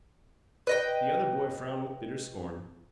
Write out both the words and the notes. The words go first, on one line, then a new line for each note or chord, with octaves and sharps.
The other boy frowned with bitter scorn.
B4 D#5 G5